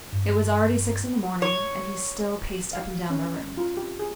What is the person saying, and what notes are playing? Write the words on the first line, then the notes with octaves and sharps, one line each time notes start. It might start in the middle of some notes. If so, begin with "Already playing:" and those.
It was already six in the morning and he still paced up and down the room.
G2
C#5
F5
C#4
D#5
F4
G4
G#4